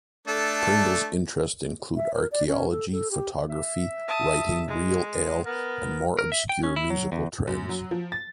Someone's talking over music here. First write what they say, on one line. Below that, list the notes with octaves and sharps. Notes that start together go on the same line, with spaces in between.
Pringle's interests include archaeology, photography, writing, real ale, and more obscure musical trends.
A3 D4 A4
E5
A#4
D5
C#4
A4
A4
G4
E5
A5 D#6
G#3
B3 A#4
A#4
E5
G5
C#4
E4
F#3
E2
F#2
F#3
F3
A6